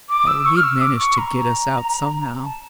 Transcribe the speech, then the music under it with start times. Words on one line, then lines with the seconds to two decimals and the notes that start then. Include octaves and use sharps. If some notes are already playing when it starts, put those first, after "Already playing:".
"Oh, he'd manage to get us out somehow."
0.09 D6
0.27 E6
0.45 C#6
0.56 F6
0.64 E6
0.81 D6
0.99 C#6
1.18 A#5
2.43 A5